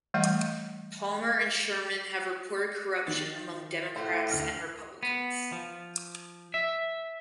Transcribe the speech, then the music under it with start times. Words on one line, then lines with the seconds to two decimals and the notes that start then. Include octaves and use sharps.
Palmer and Sherman have reported corruption among Democrats and Republicans.
0.14 E3 G3 A3 D#5 F#5
3.07 D#3 A6
3.96 A2 C5
4.29 D2 F6 A#6
5.03 B3
5.52 F3
6.54 E5